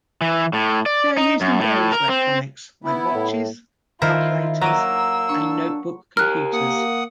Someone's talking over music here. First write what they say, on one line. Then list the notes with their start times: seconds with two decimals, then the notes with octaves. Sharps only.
They are used in various electronics like watches, calculators, and notebook computers.
0.21 E3
0.53 A2
0.86 D5
1.17 D#4
1.41 F#2
1.60 A2
1.92 A#4
2.09 C4
2.84 B3 E4
3.14 A2
4.02 D#3 E4 F4 A#4 C5 E5
4.61 F#3 A#3 A#5 D6 E6 D#7
5.29 D4 C#6
6.17 G4 A#4 F6 F#6
6.53 A#3 F#5 D#6